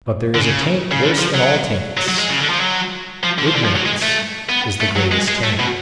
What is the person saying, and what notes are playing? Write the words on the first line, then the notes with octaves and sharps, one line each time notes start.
But there is a taint worse than all taints,--ignorance is the greatest taint.
D3
C#3
C#3
D3
F3
F#3
F#3
F#3
G#3
C#3
D3
F3
F#3
F3
D3
F3
D3
F3
F#3
G#3
A3
B3
A3
F#3
G#3
G#3
A3
B2